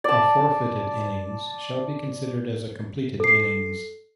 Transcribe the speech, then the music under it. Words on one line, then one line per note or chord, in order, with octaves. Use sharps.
A forfeited innings shall be considered as a completed innings.
D5 A5
A4 C7